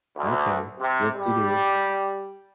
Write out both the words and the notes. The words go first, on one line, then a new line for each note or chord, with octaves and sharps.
"Okay, whoop-de-doo."
D2
C3
G3